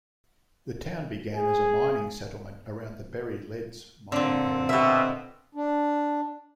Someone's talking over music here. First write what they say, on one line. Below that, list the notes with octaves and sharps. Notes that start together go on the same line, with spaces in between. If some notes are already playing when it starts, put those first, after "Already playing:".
The town began as a mining settlement around the Berry Leads mining area.
G#4
A#2 D3 C4
B2 G4 E5
D4